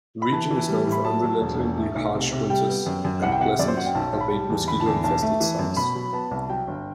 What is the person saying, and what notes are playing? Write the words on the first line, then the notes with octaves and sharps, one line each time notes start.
The region is known for unrelentingly harsh winters, and pleasant, albeit mosquito-infested summers.
B5
E3 A5
E3
G3
A2
B5
F#3 A5
F#3
E1
E1
A3
B1
C3
C3
G3 G5
B3
F#2
F#2
C2 F#5
G5
C3 F#5
F#2 D5
C5
F#3 F#5
G5
B1 A5
B1
B5
G3 A5
E2
D3 B5
A5
E2
B1 A5
A3
E3
F#2
B2 B5
F#3
B3 A5
C2
F#3 G5
G1